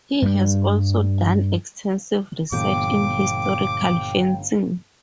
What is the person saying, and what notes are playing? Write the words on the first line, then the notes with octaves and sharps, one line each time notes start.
He has also done extensive research in historical fencing.
G2 G3
G1 A#2 E3 B3 G5 D6